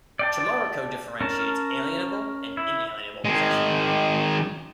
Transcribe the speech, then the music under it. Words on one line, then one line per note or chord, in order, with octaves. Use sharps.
Chimariko differentiates alienable and inalienable possession.
D5 G5 A5
C#4 A#4 A5
E4
D#3 G#3